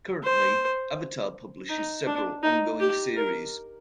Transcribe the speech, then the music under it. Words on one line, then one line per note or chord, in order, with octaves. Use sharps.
Currently, Avatar publishes several ongoing series.
C5
D#4
D4
D#4
G4
A#4